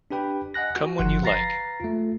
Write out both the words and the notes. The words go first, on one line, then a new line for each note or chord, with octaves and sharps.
Come when you like.
D4 G4 B4 G5 B5
D#5 F#5 G#5 F#6 A#6
F#4
G1 F3 F#5 C6
B4 F5 A#5 A6 A#6 C7
A3 F4